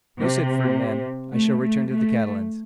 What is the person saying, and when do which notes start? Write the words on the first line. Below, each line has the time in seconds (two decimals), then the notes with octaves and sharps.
"No," said Fernand; "I shall return to the Catalans."
0.20 C3
1.34 A3
1.62 A3
1.91 A3